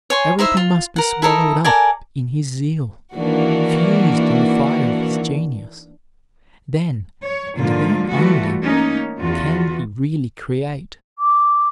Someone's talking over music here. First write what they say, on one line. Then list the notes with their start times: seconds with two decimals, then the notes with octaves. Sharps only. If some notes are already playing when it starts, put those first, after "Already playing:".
Everything must be swallowed up in his zeal, fused in the fire of his genius,--then, and then only, can he really create.
0.10 C#5 G#5 C6
0.39 D#4 E4 C5 E5
0.57 F4
0.96 A#4 F#5
1.22 E4 A4 A#4 D#5
1.64 A4 A#4 D5 G#5
3.15 D#3 E3 A#3 D4 F#4
7.24 C#5
7.58 G#2 D3 F3 A#3 F4
8.12 E3 G3 A3 F4 F#4
8.63 A#3 C#4 D#4
9.18 E2 F4 F#4
11.19 D6